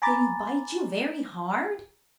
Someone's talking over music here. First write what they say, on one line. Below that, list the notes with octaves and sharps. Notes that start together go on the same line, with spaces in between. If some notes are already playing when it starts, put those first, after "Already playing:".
"Did he bite you very hard?"
G#5 A#5 B5 D6 A6